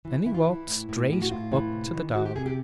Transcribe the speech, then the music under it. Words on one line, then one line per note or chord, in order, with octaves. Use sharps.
Then he walked straight up to the dog.
E3
E3 E4
F4
E3 E4
A2
A2
A2 G4
F#4
A2 F4
E3
C3
D#3
D#3 F#4
G4
C3 G#4
G4